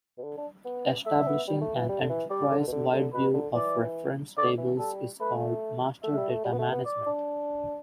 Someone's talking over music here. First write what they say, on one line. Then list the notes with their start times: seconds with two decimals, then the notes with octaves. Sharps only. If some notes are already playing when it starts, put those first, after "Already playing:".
Establishing an enterprise-wide view of reference tables is called master data management.
0.18 B2
0.23 D3
0.37 D4
0.65 B3
1.06 A3 E5
1.21 D4
1.27 B3
1.48 G3
1.61 A3
1.75 E3
1.89 G3
2.00 D3
2.09 E3
2.30 G3 D5
2.51 D3
2.67 B2
2.72 D3
2.92 D3
3.13 B2 B4
3.34 D3
3.55 E3 D5
4.37 D3 D5
4.58 E3
4.78 G3 A4
5.20 A3 B4
6.03 A3 E5
6.17 G3
6.30 A3
6.44 G3
6.53 B3
6.58 A3
6.72 B3
6.85 D5
7.06 D4